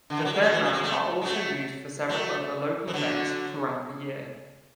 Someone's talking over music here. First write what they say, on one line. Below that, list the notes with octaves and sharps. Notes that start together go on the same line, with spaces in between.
The fairgrounds are also used for several other local events throughout the year.
D3
E3
F#3
G#3
F#3 A3
E3
F#3
G#3
F#3 A3
G#3
F#3 A3
F#3 A3
E3
D3 F#3